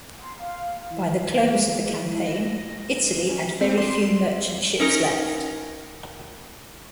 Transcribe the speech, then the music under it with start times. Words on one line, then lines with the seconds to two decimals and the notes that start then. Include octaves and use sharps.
By the close of the campaign, Italy had very few merchant ships left.
0.22 C6
0.39 F5
0.90 E3
1.37 A#3
1.55 G#3
2.08 E4
2.27 A#6
3.29 C#4
3.61 B1 A3 C4
3.77 D4 C6
4.79 C#4 D#4 A#4